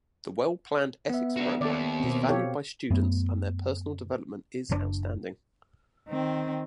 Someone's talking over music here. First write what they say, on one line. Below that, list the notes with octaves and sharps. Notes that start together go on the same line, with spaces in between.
The well-planned ethics programme is valued by students and their personal development is outstanding.
B3 E5
D4 F#4
D#2 A4 D5
B2 C4
G4 A4 C#5 F5
F#2 A3 B3
F#1 C3 D4
D#3 C4